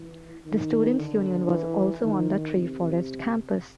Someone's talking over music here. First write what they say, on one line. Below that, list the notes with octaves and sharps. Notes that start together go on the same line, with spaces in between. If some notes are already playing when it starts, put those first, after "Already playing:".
The Students Union was also on the Treforest campus.
Already playing: E3
D#3
D3
E3
D#3
C3